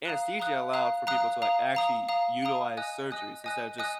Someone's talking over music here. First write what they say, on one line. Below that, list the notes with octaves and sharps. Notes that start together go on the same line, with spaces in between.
Anesthesia allowed for people to, like, actually utilize surgeries, instead of just
F5 A#5 D#6 F#6
F5 A#5 D#6 F#6
F5 A#5 D#6 F#6
F5 A#5 D#6 F#6
F5 A#5 D#6
F5 A#5 D#6
F5 A#5 D#6
F5 A#5 D#6
D#5 G#5 D#6 F#6
D#5 G#5 D#6 F#6
D#5 G#5 D#6 F#6
D#5 G#5 D#6 F#6